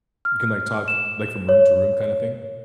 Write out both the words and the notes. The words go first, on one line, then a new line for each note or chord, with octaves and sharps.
You can, like, talk, like, from room to room kinda thing?
F6
E7
C#5